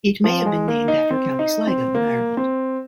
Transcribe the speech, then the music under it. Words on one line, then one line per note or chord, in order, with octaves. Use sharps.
It may have been named after County Sligo in Ireland.
F3
G#3
A#3
D#4
C4
D#4
C4
A#3
C4